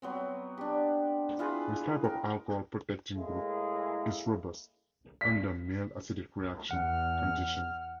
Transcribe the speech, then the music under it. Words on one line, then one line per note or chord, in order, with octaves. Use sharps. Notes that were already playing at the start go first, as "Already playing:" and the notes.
This type of alcohol protecting group is robust under mild acidic reaction conditions.
F#3 B3 C4
D4 G4
E4 F4 G#4 B4
A#4 G5
A2 G#3 A#3 E4
B6
E2 F#5 F6